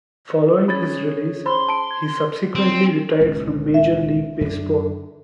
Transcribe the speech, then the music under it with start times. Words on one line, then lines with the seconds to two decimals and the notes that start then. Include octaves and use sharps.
Following his release, he subsequently retired from major league baseball.
0.68 C#4 G#4 C#5 B5 A6
1.46 C5 B5 C6
1.69 A5 D7
1.91 G#6
2.55 C4
3.21 D#1 C#2 C#4
3.74 E5
4.41 F#2 D4